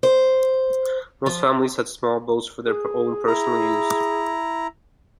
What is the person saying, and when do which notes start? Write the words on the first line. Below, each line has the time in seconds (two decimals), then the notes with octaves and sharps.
Most families had small boats for their own personal use.
0.03 C5
1.26 F3
2.65 G#4
3.27 E4 A#5